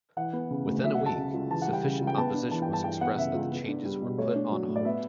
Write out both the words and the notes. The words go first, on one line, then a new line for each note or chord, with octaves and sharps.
Within a week, sufficient opposition was expressed that the changes were put on hold.
E3 F#5
B3
C#3
D2
F#3 E5
F#5
A3
A5
C#3
C#2
E3 A5
F#5
G3
G5
C#3
C#2
G5
B3 A5
D4
E3 A5
G5
G2
A5
E3 G5
B3 F#5
C#3 E5
C#2
B3
D4
G3
B2
A3 C#5
D4
F#3
A2
D5
B3 E5